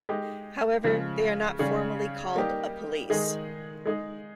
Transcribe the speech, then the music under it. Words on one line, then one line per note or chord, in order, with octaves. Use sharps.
However, they are not formally called a "police".
G#3 D#4 G4
C#3 F3 G#3
C#3 G3 C#4 G#4
G3 A#3 D#4 G4
D#3 G#3 D#4 G#4
G#3 D#4 G#4